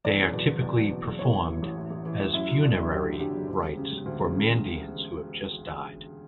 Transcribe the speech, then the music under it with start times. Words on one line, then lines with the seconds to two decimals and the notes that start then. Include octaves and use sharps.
They are typically performed as funerary rites for Mandaeans who have just died.
0.05 E2 D5
0.18 F#1
0.33 B2
0.47 F#1
0.62 E2
0.76 F#1
0.90 B2
1.05 F#1
1.19 A2 C#5
1.34 A1
1.48 E3
1.63 A1
1.76 A2
1.91 A1
2.05 E3
2.20 A1
2.34 F#2 E4
2.48 F#3
2.63 D3 D4
2.77 F#1 E4
2.92 F#2 G4
3.05 F#3
3.20 D3 G4
3.34 F#1
3.48 D2
3.63 E1
3.77 C#3
3.92 E1
4.06 D2
4.20 E1
4.35 C#3